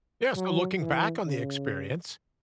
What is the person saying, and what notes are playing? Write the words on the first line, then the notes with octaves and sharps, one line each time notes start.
Yes, so looking back on the experience,
F#3
E3
C#3